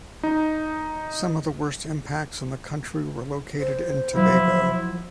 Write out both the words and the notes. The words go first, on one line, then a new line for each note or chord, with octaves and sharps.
Some of the worst impacts in the country were located in Tobago.
D#4
C5
F3 F#3 E4